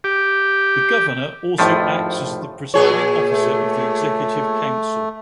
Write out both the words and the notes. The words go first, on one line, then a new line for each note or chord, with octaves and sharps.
The Governor also acts as the Presiding Officer of the Executive Council.
G4
G#1 F2 A2 F3 A3
A#2 G#4 C#5
A3